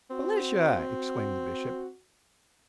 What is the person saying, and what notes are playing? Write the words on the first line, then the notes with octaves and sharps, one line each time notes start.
"Felicia!" exclaimed the Bishop.
C4 F#4